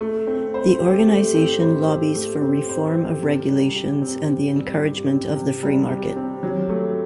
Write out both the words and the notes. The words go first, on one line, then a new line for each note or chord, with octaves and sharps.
The organization lobbies for reform of regulations and the encouragement of the free market.
A3
C4
C5
G4
A3
C4
C5
G4
A3
C4
C5
G4
C3
G3
G4
C4
C3
G3
G4
C4
C3
G3
G4
C4
F#3
A3